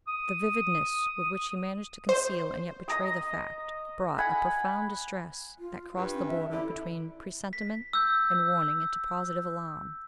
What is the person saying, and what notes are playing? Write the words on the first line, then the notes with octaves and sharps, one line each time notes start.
The vividness with which he managed to conceal and yet betray the fact brought a profound distress that crossed the border between presentiment and warning into positive alarm.
D#6
C5
D#5 A#5 D#6
F#5 G#5 B5
F4
G2
C#4
E5
D3 E4
B6
E6 G6